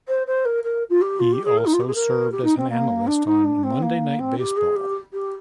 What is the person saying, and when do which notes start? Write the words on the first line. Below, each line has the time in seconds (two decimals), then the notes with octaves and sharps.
He also served as an analyst on "Monday Night Baseball".
0.07 C5
0.26 C5
0.45 A#4
0.63 A#4
0.89 F4
1.01 G4
1.19 F4
1.32 G4
1.44 G#4
1.57 A#4
1.65 D#4
1.73 F4
1.80 G4
1.87 G#4
1.94 A#4
2.31 G4
2.44 D#4
2.56 C4
2.69 A#3
3.07 D4
3.26 D#4
3.44 D4
3.63 C4
3.82 A#3
4.19 C4
4.38 G4
4.57 G#4
4.75 G4
5.13 G4